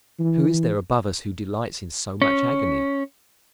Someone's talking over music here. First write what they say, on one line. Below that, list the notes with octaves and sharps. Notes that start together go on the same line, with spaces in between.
Who is there above us who delights in so much agony?
E3
C#4